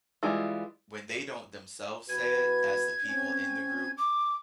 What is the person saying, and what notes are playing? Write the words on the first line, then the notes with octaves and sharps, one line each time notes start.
when they don't themselves say it as the people in the group,
E3 G3 G#3 E4 F4
E2 F#4 B4 G#6
C4 C#4
D6